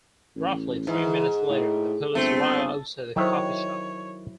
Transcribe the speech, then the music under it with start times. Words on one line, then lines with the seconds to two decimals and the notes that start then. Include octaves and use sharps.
Roughly three minutes later, the police arrive outside the coffee shop.
0.35 A1
0.87 G#2 E3
1.49 A2
2.15 G1 A3 C4
3.16 D#3 F#3 E4 A4 C5 C#5 E5